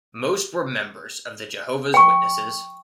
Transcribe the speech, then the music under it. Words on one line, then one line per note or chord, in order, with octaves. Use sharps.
Most were members of the Jehovah's Witnesses.
G5 C#6